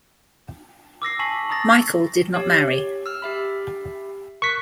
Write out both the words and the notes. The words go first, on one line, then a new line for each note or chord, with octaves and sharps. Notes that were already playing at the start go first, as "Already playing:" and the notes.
Michell did not marry.
D6 E6 A#6 C7
G#5 A5 C#6 B6 C7 F#7
A#5 D#6 E6 A6 A#6
G4 C#5
E6 F6
G4 E5 B5
A#4 C#6 F#6 B6